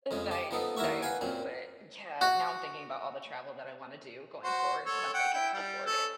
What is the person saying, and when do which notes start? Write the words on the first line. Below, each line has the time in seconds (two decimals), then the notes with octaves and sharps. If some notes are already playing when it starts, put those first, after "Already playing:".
Nice, nice, but yeah, now I'm thinking about all the travel that I wanna do going forward once I can afford it,
0.11 F2 C#3 G#3
0.31 G4
0.51 F3 B3 D#4 A4
0.77 D#2 E4 A#4 E5 F#5 C#6
1.02 B4 F5 F#5 G#5
1.21 F#2 A#2 C4
2.21 F#4
4.43 F#4 C5
4.86 A4 C#5
5.14 F#5 G5
5.33 E4 G5
5.53 G3
5.87 C#4 A4